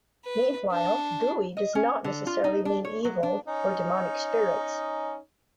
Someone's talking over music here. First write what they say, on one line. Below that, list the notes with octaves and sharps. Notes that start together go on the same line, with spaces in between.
Meanwhile, "gui" does not necessarily mean 'evil' or demonic spirits.
B4
D4
D#5
C#4
D3
F4
D#4
D4
C#5
F#3
D4
C#4 D#4